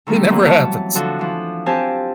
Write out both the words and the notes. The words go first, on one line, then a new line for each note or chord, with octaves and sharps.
it never happens.
D3 D#3 G3 A3 B3
E3 F#3 A#3 C4
C#5 A5
D3 F3 D4 F#4 A4
E3 F3
C4 F4 G4 C5 G#5 A5